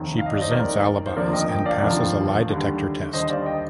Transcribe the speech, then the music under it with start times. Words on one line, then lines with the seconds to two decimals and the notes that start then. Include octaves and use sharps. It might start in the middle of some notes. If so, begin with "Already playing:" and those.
She presents alibis and passes a lie detector test.
Already playing: F1 D#2 D#3
0.19 F5
0.26 D#5
0.34 D5
0.42 C5 D#5
0.51 F1 D#2 D#3 A#4 D5
1.06 C5
1.17 F1 D#2 D3 F3 A#3 A#4 D5
1.33 D#5 G5
1.49 D#5 G5
1.66 D5 F5
1.82 F1 D#2 D3 F3 A#3
2.48 D#2 D3 G3
3.13 D#2 D3 G3 C5 D#5
3.30 D5 F5
3.46 D#5 G5